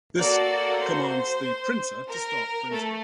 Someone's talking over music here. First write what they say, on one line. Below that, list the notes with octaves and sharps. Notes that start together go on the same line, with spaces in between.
This commands the printer to start printing.
A#3 F#4 A4 D5
C5
A#4
A3 A4